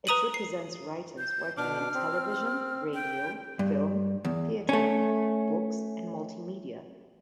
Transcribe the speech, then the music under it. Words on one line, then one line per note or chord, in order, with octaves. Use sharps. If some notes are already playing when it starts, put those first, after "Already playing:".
It represents writers working in television, radio, film, theatre, books and multimedia.
B4 A#5 D#6 D#7 F#7
C7
G6
B2 D4 D6 F6
C4
G5
G2
E2
A3 C#4